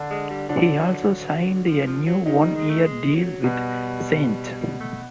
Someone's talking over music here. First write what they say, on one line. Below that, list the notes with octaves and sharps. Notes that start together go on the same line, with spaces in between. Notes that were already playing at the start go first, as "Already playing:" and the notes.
He also signed a new one-year deal with Saints.
Already playing: D3 D4
G#3
G3
D3 F#3 D4
F3
F3
F#3
D#3 F#3 D#4
G3
G#3
A3
G#3
F#3
B2 G3 B3
G3
A3